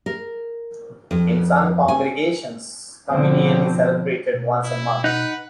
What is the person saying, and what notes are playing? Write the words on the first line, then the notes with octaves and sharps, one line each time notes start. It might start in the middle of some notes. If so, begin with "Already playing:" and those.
In some congregations communion is celebrated once a month.
A#4
F2
G#5
B2 D3 F3 C4
B2
E4
D#4 B4 F#5